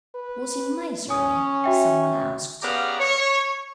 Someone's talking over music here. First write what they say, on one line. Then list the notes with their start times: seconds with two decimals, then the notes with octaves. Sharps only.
"Was he miserly?" some one asked.
0.15 B4
1.10 C#4 G#5 D#6
1.64 F#4 E5 G5
2.63 C#3 B3 G4 D5 F5 A#5
2.99 C#5